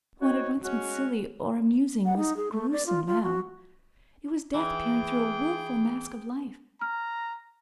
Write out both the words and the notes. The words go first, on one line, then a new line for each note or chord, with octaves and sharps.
What had once been silly or amusing was gruesome, now; it was death peering through a wilful mask of life.
C4 D#4 F#4 C#5
G#3 C#4 F#4
F#5
D#4
G#4
A3
D5
F4
F4
F#4
E3 G#4 G5
A#5 F6